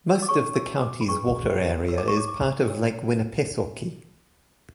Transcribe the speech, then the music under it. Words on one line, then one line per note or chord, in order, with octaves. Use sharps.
Most of the county's water area is part of Lake Winnipesaukee.
E6
D6
C#4 G#4 C#5 C#6
E6
D6
B5
D4 G#4 B4 C#6
F#4 C#5 E6
D6
C#6
D6
D6
D4 A4 C#5 E6